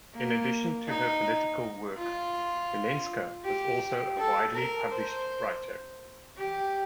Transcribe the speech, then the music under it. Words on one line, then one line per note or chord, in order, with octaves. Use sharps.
In addition to her political work, Vilenska was also a widely published writer.
A#3
D#4
F4
G4
A4
A#4
C5
G4